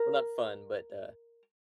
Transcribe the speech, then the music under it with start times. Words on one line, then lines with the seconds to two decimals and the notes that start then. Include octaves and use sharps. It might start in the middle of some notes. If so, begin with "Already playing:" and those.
Well, not fun, but, uh,
Already playing: A#4